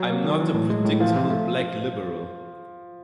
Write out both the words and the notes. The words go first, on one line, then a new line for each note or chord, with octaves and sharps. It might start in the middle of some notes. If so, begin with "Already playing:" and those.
I'm not a predictable black liberal.
Already playing: F#3
A#3
D#3
E3
A2
G#3
A2
E3 F3
C3
A3